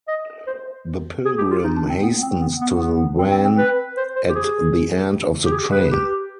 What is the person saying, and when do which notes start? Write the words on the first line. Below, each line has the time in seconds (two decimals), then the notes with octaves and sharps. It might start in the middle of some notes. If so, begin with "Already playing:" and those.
The pilgrim hastens to the van at the end of the train.
0.08 D#5
0.47 C5
1.25 G#4
1.38 G4
1.51 F4
1.64 D#4
1.76 D4
1.89 C4
2.02 B3
2.22 C4
2.41 B3
2.61 B3
2.80 B3
3.19 C4
3.32 C4
3.45 C4
3.58 B4
3.97 C5
4.16 C5
4.29 G4
4.35 G#4
5.46 G4
5.52 G#4
5.72 B4
5.91 G4